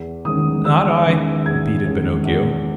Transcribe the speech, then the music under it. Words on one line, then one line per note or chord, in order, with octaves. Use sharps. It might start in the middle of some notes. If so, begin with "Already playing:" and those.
"Not I," repeated Pinocchio.
Already playing: E2
D#3 G#3 C#4 D#6
E2 E6
D#3 G#3 C#4
E2 G#6
D#3 G#3 C#4
E2